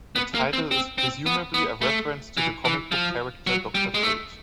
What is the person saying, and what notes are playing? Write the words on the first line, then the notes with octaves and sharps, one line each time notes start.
The title is presumably a reference to the comic book character Doctor Fate.
B3
A#3
C4
C4
C4
B3
B3
A3
E3
E3
F3
F#3
G3
G#3
A3